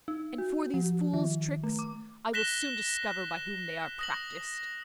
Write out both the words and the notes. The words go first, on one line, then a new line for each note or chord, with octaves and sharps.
'And for these fool's tricks--I will soon discover by whom they are practised.'
D#4
F#4
F3
D#3
A3
D6
F#6 A#6 B6 E7 G7
D#6 A#6 F#7